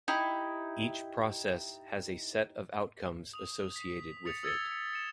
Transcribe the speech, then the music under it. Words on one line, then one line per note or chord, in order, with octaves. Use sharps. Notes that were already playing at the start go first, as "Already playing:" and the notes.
Each Process has a set of outcomes associated with it.
D#4 E4 G4
D#6 F7
B6
D#6 A6 B6 C#7 F7
D#6 E6 G#6 A6 C#7 G7
C#7
C#7 E7